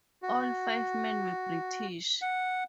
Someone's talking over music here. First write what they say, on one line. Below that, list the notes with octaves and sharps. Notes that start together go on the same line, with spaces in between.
All five men were British.
F#4
F#5